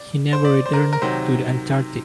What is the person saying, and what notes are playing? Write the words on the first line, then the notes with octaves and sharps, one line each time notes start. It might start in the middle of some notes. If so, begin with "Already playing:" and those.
He never returned to the Antarctic.
Already playing: D5
C5
D5
C5
A#4
A#4
C3 D#3 F#3 C5